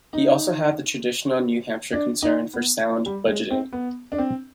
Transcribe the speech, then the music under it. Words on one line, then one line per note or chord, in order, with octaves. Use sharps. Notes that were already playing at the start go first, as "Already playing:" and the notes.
He also had the traditional New Hampshire concern for sound budgeting.
D#4
D4
D#4
B3
G3
G#3
C4
B3
D4
C4